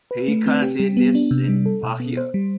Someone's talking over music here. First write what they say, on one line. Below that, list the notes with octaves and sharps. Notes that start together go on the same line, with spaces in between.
He currently lives in Bahia.
B4
A3
C4
G4
G3
B3
D4
C3
G3
A4
B2
B3
C5
G3